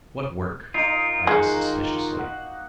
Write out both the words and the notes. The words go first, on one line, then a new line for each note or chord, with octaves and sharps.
"What work?" I asked suspiciously.
D#4 F4 A#4 D6
D#3 G#3 A#3 F4 F#4 A#4
F#5